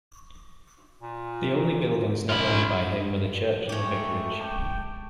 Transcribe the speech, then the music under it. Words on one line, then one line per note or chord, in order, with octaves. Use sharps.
The only buildings not owned by him were the church and the vicarage.
A#2
F#2 F4 B5
G#3 A3 G4 C#6
G5 A5 C#6 D6